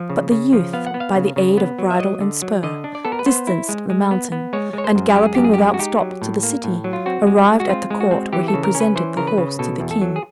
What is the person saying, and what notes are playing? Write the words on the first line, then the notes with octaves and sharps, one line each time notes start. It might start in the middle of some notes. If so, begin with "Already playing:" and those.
But the youth, by the aid of bridle and spur, distanced the mountain, and galloping without stop to the city, arrived at the Court, where he presented the horse to the King.
Already playing: F3
C#3
C#3
F3
B3 F5
F#5
B3
F5
C#3
C#3
B3
F#3
E5
F#3 D#5
D3
F#3
D3 D#5
D4
D5
B3 A4
A#4
B4
B3 C5
E4
G#3
G#3
B3
B3
G#3 C#5
G#3 C#5
C5
F#2
G#3 G4
G#4
F#2 G4
G#4
G#3 G4
F#4
D#4 G4
F#3
A2
A#3
A2
F#3
F4
C4 F#4
G#3
G#3
F#4
C4 F4
G#3
F#4
C4
E3 G4
A4
C#3
A#4
C#4
B4
E3 C5
C#3 A#4
B4
C#3
B2 A4
E2
A4
F#3
G#4